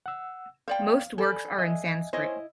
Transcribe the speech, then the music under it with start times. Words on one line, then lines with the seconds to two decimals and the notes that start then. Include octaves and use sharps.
Most works are in Sanskrit.
0.06 F#5 E6
0.68 C5 D5 F5 G5
1.18 A4 D5 G#5 B5
1.59 D#5 E5 G#5
2.13 E4 C5 C#5 D#5 G#5